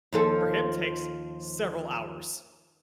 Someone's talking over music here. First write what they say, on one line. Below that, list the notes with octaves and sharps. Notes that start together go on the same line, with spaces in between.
for him takes several hours.
D#2 F3 A4